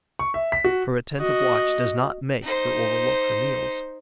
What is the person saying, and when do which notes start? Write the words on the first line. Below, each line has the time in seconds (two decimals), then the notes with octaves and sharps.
Her attentive watch does not make her overlook her meals.
0.19 C#6
0.34 E5
0.52 B6
0.64 F#4
1.18 F#4 D#5
2.43 D#4 C5